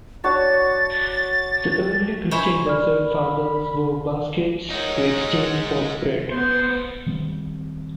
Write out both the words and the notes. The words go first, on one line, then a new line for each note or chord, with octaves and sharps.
The early Christian Desert Fathers wove baskets to exchange for bread.
D4 F#4 C#5 A6
E4 C5 C#5 G#5
D5 B5 F6
G#3 D#4 A#4 C#5 F#5
B3 C5
D#3 G3 C4